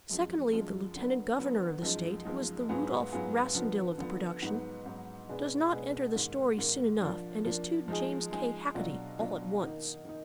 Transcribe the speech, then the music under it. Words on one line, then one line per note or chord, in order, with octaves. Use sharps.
Secondly, the lieutenant governor of the state, who is the Rudolf Rassendyll of the production, does not enter the story soon enough, and is too James K. Hacketty all at once.
F#2 F3 G#3
F#2 F3 G#3
D3 F#3 B3
D3 F#3 B3
F#2 F3 G#3 D#4
F#2 F3 G#3 D#4
G#2 F#3 B3 F4 G#4
G#2 F#3 B3 F4 G#4
D3 F3 B3
D3 F3 B3
G#2 F#3 B3 D#4
G#2 F#3 B3 D#4
B2 G#3 D4 G#4 B4
B2 G#3 D4 G#4 B4
G#2 D#3 A#3
G#2 D#3 A#3
F3 A#3 D4
F3 A#3 D4
F3 G#3 D#4 G#4
F3 G#3 D#4 G#4
B2 F#3 D4 F4
B2 F#3 D4 F4
D#3 A#3 D#4
D#3 A#3 D#4